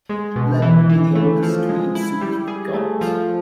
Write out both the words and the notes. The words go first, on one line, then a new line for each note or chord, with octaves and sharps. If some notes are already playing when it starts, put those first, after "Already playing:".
Lend me the oldest tweed suit you’ve got.
G#3
B2
E3
E3
A3
F3
G#3
E4
G3
G#4
A3
F3